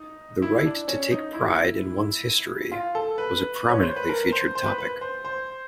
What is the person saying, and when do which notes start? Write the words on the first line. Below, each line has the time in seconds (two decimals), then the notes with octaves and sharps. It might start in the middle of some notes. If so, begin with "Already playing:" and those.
The right to take pride in one's history was a prominently featured topic.
Already playing: D#4
0.42 E4
0.65 D4
0.88 C#4
1.11 D#4
1.34 E4
2.72 F4
2.95 A4
3.18 B4
3.69 C#5
3.82 C5
3.96 B4
4.09 A#4
4.32 C5
4.55 C5
4.66 B4
4.78 B4
5.01 C5
5.25 C5